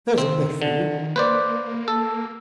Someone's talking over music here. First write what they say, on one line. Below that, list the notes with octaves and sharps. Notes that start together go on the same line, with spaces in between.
There's a bet for you!...
D#3 C4
D3
A#3 B4 C5 D5
A4